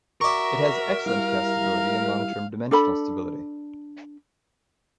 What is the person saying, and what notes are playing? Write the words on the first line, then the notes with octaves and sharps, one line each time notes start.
It has excellent castability and long term dimensional stability.
F#4 A#4 D5 E5 C#6
G3 E4 F5
D4 A4 B5